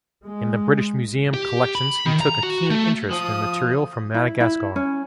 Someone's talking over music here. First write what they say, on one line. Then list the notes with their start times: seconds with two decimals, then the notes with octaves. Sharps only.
In the British Museum collections he took a keen interest in material from Madagascar.
0.25 G#3
1.34 G4
1.75 B5
2.06 D#3
2.21 A#5
2.43 F#4
2.70 A3
3.11 F3 D#6
4.14 E4
4.40 E4
4.76 C#4